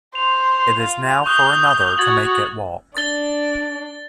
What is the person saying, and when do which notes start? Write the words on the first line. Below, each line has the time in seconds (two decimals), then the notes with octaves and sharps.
It is now for another to make it walk.
0.15 C5 F7
0.80 F4
1.26 C#6 D#6 F#6 G6
1.98 F#4 G#6 A6 F#7
2.97 D4 A6 G7